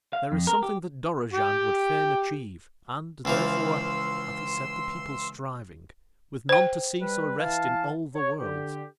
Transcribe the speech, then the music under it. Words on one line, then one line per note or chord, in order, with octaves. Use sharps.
There is something that Dorozhand would fain achieve, and, therefore, hath he set the people striving, with none to cease or rest in all the worlds.
F5
F2
A#4
G4
G4 G5
C#2 E3 F3 C6 E6
C5 G5
G3 B4
E3 F5 A5
C#5
D3 G4